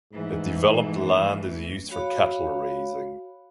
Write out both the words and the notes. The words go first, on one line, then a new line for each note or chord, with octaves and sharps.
The developed land is used for cattle raising.
G#2 E3 A3
F#4 C#5 F5 B5